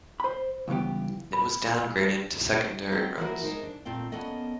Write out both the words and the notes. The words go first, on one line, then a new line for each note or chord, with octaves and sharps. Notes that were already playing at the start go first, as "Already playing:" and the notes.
It was downgraded to secondary roads.
C5 B5
C#2 G2 E3 B3 G4
B5
G#3 C4 D#4 F#4 G4
E3 F3 A#3 E4 F#4 A#4
G#3 D#4 A#4 C5
D4
A#2 A3 C4 F4 G5
A#3 B3 C#4 A4 D5 D#5